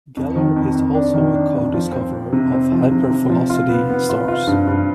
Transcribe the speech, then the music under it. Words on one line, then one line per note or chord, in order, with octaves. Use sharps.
Geller is also a co-discoverer of hypervelocity stars.
F2
D#3
F2
F2
D4
D#3
D4
F2
F3
C4
C4
C3
C4
F3
C3
C3
F3
F4
B3
B3
F4
F4
G2
G2